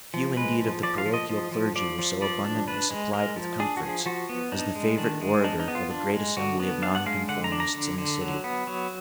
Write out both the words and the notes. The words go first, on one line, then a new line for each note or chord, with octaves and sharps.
Few indeed of the parochial clergy were so abundantly supplied with comforts as the favourite orator of a great assembly of nonconformists in the City.
F3
G#3 B4
F3
F3 D5
F5
F3
D#5
F3
F3
F3 D5
F3
F3 D5
D4
D4 B4
G#3
G#3 A#4
F3
D4 G#4
F#4
F3 G#4
F3 F#4
B3
D4 D#4
G#3
D#3 D4
G#3
D4 D#4
D#4
B3
F4
D4
G#3
D3 F#4
B3
D4 F5
F#5
G#3 F5
D3 F#5
A#5
D4
A#5
D3
D3
F#3
B3
F#3